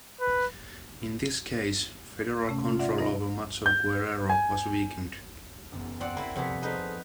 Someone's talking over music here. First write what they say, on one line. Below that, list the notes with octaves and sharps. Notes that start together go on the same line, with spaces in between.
In this case, federal control over much of Guerrero was weakened.
B4
C3 A3 C#4
F4
D5 E5 F#5
D#4 D#5 A#6
G6
G#5
F#1 E2
C4 D5 F#5
A#3 E4 B5
F2 C3 B3 F#5 G#5
D#4 G#4 A4 B4 C5